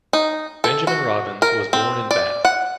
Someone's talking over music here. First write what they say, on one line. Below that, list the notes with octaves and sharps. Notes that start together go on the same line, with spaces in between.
Benjamin Robins was born in Bath.
D#4
A4
F#4
A#4
C4
D5
F#5